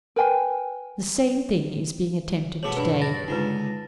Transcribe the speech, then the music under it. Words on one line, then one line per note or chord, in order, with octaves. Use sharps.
The same thing is being attempted to-day.
A#4 B4 G5 G#5
B2 A3 B3 G#4 C#5 F#7
G2 B4 B5
A5 A6 A#6
C#2 D3 D#4 F4 B4